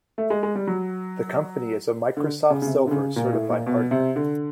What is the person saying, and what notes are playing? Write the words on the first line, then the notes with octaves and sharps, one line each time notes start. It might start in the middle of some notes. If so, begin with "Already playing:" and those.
The company is a Microsoft Silver Certified Partner.
A3
G#3
G#3
G3
F#3
D3
C#3
C#3
C3
D3
C#3
A#2
A2
A#2
B2
C3
D3